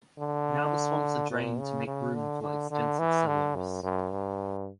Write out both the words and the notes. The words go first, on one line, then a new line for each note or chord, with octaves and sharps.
Now the swamps are drained to make room for extensive suburbs.
D3
A#2
C#3
C#3
D3
D3
D3
E3
D3
F#2
F#2
G2